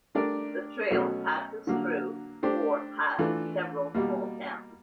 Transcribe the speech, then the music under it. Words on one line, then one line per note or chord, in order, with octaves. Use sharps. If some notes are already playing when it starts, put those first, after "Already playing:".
The trail passes through or past several small towns.
A3 D4 G4 A#4 D5
B2 F#3 A3 C#4
D3 F#3 A#3
A3 D4 G4 C5
E3 A3 D4 F4
B2 G3 A#3